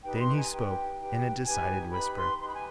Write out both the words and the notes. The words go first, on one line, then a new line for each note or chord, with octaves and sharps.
Then he spoke in a decided whisper.
D#4 G4 B4 G5
B5
C6
G#5
D#4 G4 B4 G5
D#4 G4 B4 G5
D#4 G4 B4 G#5
D#4 G4 B4 B5
C6
D#4 G4 B4 C6
B5
G#5